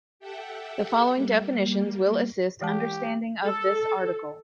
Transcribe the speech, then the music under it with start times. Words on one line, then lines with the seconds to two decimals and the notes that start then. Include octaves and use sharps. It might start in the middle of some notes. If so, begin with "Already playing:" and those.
The following definitions will assist understanding of this article.
0.20 G4 A4 E5 F#5 G5
1.12 G3 A#3
2.61 E3 G#3 G4 A5
3.44 A4